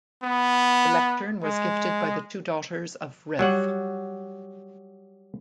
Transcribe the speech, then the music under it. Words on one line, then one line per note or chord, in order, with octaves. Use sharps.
The lectern was gifted by the two daughters of Rev.
B3
G#3
F#3 G3 F#5